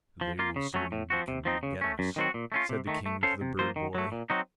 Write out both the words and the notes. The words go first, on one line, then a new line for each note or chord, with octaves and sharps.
"They will soon be coming to get us," said the King to the bird-boy.
F3
A#3 F4
C#3
F#3 A3 C#4
A2
F3 C4 F#4
C3
F3 C4 D#4
C#3
A3 C#4
F#2
D#3 F#3 C4 F#4
A#2
A3 C#4 F4
C3
D#3 A3
A3
C#4 A4 C5 F5
C3
F3 A#3 F4 C5
D#3
F#3 A3
A#2
F#3 C4 D#4 F#4